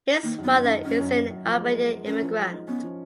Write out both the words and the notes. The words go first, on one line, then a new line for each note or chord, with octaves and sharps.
His mother is an Albanian immigrant.
D#3 A#3
F#2
B3
F#2
C#4
D#4
F#2 C#4
F#2
F#2
F#2
F3
G#3
A#4
A#4
C#4 A#4
F3
G#3
D#4
B3 C#4
F3